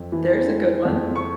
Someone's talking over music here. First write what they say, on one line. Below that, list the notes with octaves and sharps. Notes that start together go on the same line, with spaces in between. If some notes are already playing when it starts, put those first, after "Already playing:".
There's a good one.
Already playing: F2
E3
G#3
F2
C#6